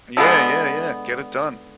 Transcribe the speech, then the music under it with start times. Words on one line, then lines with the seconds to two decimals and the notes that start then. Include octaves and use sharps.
Yeah, yeah, yeah, get it done.
0.17 D3 G#3 B3